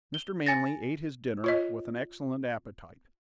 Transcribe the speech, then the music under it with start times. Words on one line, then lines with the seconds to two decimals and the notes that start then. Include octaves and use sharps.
Mr. Manley ate his dinner with an excellent appetite.
0.14 G7
0.46 G#5 A6 A#6
1.44 F4 C#5 D#5